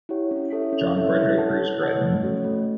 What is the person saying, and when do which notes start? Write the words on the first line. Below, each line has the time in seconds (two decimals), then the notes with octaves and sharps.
John Frederick Bruce Gretton.
0.09 E4 G4 C#5 F#5
0.31 C#4
0.51 E4 A4 C#5 E5
0.73 C#4
0.95 E4 A4 C#5 E5
1.16 E4
1.37 A4 C#5 F#5 A5
1.59 E4
1.80 A4 C#5 F#5 A5
2.01 A3
2.23 C#4 F#4 A4 C#5
2.44 A3